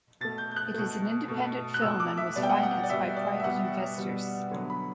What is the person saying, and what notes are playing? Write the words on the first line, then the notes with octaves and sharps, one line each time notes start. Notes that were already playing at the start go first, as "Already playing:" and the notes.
It is an independent film and was financed by private investors.
B2 A3 A6
G6
G6
F#6
B2 A3
B2 A3
F#6
B2 A3 E6
D6
E5
B2 G3 B3 D5
G5
F#5
F#5
D5
B2 G3 B3 E5
D5
E5
B2 G3 B3 F#5
B2 G3 B3
D3 F#3 B3
B5